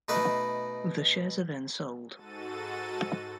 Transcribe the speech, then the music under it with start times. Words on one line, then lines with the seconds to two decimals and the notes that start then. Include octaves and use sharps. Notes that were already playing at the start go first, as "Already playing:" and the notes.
The shares are then sold.
0.08 B2 A3 D#4 B4
2.14 G#2 F#4 A4 A6 D#7